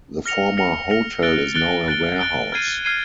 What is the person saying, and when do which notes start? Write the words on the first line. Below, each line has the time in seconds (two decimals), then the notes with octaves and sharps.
The former hotel is now a warehouse.
0.26 F6 A#6 C#7 F7
0.57 F6 A#6 C#7 F7
0.90 F6 A#6 C#7 F7
1.23 F#6 A6 D7 G7
1.55 F#6 A6 D7 G7
1.88 F#6 A6 D7 G7
2.19 F#6 A6 D7 G7
2.52 F6 G#6 C7 D#7
2.85 F6 G#6 C7 D#7